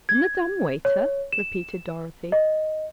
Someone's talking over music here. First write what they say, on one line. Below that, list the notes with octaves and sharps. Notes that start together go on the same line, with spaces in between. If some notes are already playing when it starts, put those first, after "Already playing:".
"On the dumb waiter?" repeated Dorothy.
G#6
C#5
E7
D#5